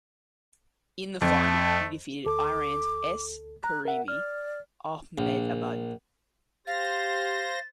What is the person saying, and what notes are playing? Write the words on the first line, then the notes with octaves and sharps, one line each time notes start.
In the final he defeated Iran's S Karimi Ahmedabad.
F2 A3
D2 A4 D6
A#5 F#6
A#4 E5 F#5
D5 F6
A#1
G4 C5 F5 A6 A#6